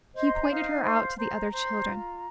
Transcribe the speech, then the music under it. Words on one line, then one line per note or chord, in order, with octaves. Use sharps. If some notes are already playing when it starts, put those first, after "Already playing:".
He pointed her out to the other children.
C5 D#5
C6
A#5
G#5
D#4 F5
C5 F5
C5 A#5
C5
F4